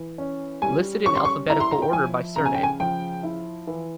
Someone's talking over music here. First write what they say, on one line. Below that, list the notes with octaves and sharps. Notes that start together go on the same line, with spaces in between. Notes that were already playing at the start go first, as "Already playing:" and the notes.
Listed in alphabetical order by surname.
Already playing: E3
C#4
G3 G#5
C#4 C#6
C6
C#6
E4 A#5
C6
A#5
G5
F3 G#5
C#3 A#5
G#5
G5
G#5
F3 G5
E4
E3